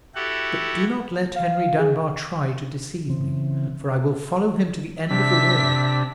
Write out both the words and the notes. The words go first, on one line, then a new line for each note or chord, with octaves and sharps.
But do not let Henry Dunbar try to deceive me! for I will follow him to the end of the world.
E4 F#4 G4 A4 F#5
F5
G#4
C#3 E3 C4
C3 D4 E5 B6